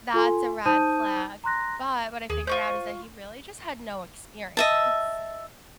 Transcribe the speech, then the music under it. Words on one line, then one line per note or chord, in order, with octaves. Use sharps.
that's a red flag." But, what I figured out is that he really just had no experience.
F4 A4 G#5 C6
D#4 C5 A5 D#6 G6 D#7
A#5 C6 F#6 A#6
D#2 G#4
F4 C5 C#6 G6
D#5 E5 A5